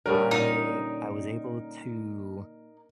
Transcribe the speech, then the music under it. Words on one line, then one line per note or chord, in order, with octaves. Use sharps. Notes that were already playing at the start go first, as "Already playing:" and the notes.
I I was able to
D3 G3 C#4 A#4
A#2 D#4